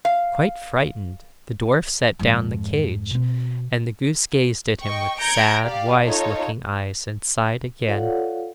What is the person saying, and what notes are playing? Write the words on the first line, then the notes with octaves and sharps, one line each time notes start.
Quite frightened, the dwarf set down the cage, and the goose gazed at him with sad wise-looking eyes and sighed again.
F5
F2 G#2
B2 C4
D#5 G5 C#6
A#5 G6 G#6 A#6 C#7 D7
G4 D5 F5
D#4 F4 A4 C#5
F4 A4 C#5 D5 F5 F#5